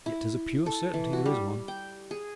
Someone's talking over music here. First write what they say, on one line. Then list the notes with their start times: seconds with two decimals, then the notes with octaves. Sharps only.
Yet 'tis a pure certainty there is one.
0.06 E4
0.66 A4
0.94 E3
1.13 F#4
1.26 G3
1.68 G5
2.11 G#4